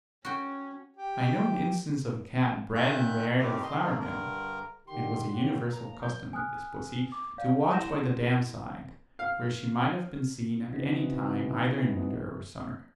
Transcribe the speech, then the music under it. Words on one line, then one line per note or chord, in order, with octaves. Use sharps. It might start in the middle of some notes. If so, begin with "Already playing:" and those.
I know an instance of a cat bred and reared at a flour mill: it was a universal custom with this pussy to watch by the dam-side, where she might have been seen at any time either in winter or summer.
C#4 F#4 G5
G4
A#2 D#3 E5 F#6 G6
A2 D#3 E3 A3 C4 G4
D#5 C6
D3 F3 A3 A#3
G2 D3 A#4
D3 D#3 G4 C6
C#3 F#4 G4
A#2 F3 A#5
G#2 F#3 G6
G#5 D#6 F6 F#6
D6
D5 F5 G6
E4 F#5 C6 G6 A#6 E7
F5
C#3 E3 C4 D#4 F#4